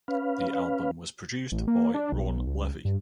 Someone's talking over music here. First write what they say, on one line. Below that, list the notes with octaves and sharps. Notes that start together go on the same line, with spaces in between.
The album was produced by Ron Levy.
C#4 B4 F5
A1
A#3
D4
B1
C#2
G2